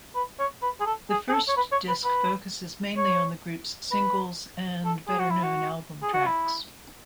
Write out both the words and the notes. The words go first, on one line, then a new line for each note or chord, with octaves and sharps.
The first disc focuses mainly on the group's singles and better-known album tracks.
B4
C#5
B4
G#4
A4
G#4
G#4
A4
C#5
B4
C#5
B4
B4
C#5
B4
A4
G#4
F#4
E4
F#4
G#4
F#4
E4